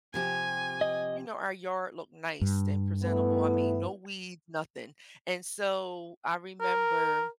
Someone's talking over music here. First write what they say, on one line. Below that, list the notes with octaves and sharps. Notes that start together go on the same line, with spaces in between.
you know, our yard looked nice and presentable. I mean, no weeds, nothing, and so, I remember,
C3 F3 G4 G#5
D#5
G2
A3 B3 E4
A#4